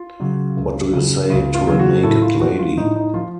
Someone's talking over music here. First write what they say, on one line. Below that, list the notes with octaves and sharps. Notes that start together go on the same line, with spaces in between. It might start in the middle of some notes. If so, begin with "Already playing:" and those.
What Do You Say to a Naked Lady?
Already playing: F4
C#3 F#3
C#2
C#3 F#3
C#2
F4
C#3 F#3 F4
F#4
A2 A4
F4
F3 F#4
F4
A2 D#4
D#4
F3 F4